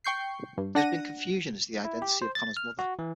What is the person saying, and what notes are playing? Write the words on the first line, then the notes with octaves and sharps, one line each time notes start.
There's been confusion as to the identity of Connor's mother.
G5 C#6 G6 C7
G2
D4 F#5 A#6 D#7
E4
G4
C5
A6
F6
F#4
E3